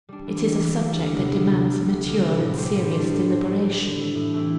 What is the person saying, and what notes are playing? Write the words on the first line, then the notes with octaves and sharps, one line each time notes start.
'It is a subject that demands mature and serious deliberation.
G3 D4
E3
G3 D4
E3
G3 D4
D2
C3 G3 B3
D2
C3 G3 B3
D2
C3 G3 B3
D2
C3 G3 B3
A2
G3 D4 G4 C5
A2
G3 D4 G4 C5
A2
G3 D4 G4 C5
A2
G3 D4 G4 C5
A2
E3 A3 C4 E4
A2
E3 A3 C4 E4